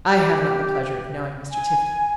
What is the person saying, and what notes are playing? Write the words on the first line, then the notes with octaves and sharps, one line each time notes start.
"I have not the pleasure of knowing Mr. Tifto."
G4
G#5